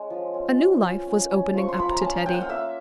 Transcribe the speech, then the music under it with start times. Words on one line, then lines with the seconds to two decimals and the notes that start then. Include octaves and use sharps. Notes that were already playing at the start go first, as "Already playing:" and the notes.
A new life was opening up to Teddy.
Already playing: G#3 C#4
0.10 F3
0.34 C#4
0.58 C#4
0.82 C#4
1.06 C#4
1.30 C#4
1.54 F3 C#6
1.68 C6
1.78 F3 B5
1.90 A#5
2.01 C#4 A5
2.26 A#3 G5
2.34 F#5
2.41 F5
2.49 A#3 E5